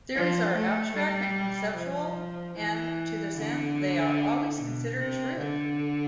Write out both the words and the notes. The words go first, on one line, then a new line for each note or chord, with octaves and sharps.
Theories are abstract and conceptual, and to this end they are always considered true.
F3
A3
G3
F3
E3
D3
B2
C3
D3